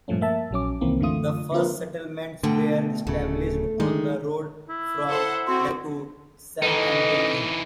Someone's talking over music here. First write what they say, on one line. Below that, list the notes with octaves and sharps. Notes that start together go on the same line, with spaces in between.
The first settlements were established on the road from Laredo to San Antonio.
G2 A#2 F3 A3 C#4
A#3 E5 A5
A#1 F#3 C#4 D6
C2 D#3 E3 A#3 C4
F#2 D3 E3 A3 F4 D#6
D3 A#3 C4 F4 A#4 B4
B2 D3 A3 G5
D1 C#3 A3
D#3 G#3
E4
A4 C5 F#5
C4 F#4 C6
E3 D#4 A4 B4 D#5